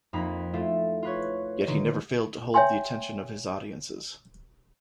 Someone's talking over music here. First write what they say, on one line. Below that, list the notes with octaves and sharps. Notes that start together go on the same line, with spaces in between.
Yet he never failed to hold the attention of his audiences.
F2 A#3 D#4 B5
A3 E4 F4 A4
F4 B4 C#5
D3 D#3
C#5 E5 G5 G#5 C6